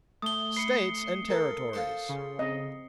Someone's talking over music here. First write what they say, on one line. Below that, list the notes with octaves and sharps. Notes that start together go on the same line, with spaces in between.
States and Territories.
A3 D#6 G7
B4 C7 C#7
A4 A#4
F4 A4 C5
C#3
C4 D#5